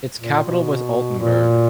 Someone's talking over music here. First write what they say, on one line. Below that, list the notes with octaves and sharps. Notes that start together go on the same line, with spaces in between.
Its capital was Altenburg.
A#2
B2
A#2